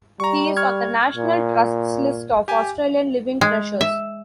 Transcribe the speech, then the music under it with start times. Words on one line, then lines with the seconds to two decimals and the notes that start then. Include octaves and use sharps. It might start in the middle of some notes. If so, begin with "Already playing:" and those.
He is on the National Trust's list of Australian Living Treasures.
0.20 G3 A#5 C#6
0.57 C#6 F6 G#6
1.16 A#2
2.48 G4 G#5
3.41 G#3
3.81 E5